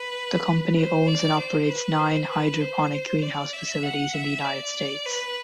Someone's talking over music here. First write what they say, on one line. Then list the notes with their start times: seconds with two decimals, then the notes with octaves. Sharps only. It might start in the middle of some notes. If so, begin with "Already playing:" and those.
The company owns and operates nine hydroponic greenhouse facilities in the United States.
Already playing: B4
0.77 C5
1.07 D5
1.39 C5
1.69 B4
1.99 C5
2.30 B4
2.61 C5
3.22 D5
3.53 E5
3.82 F#5
4.14 E5
4.44 D5
5.06 B4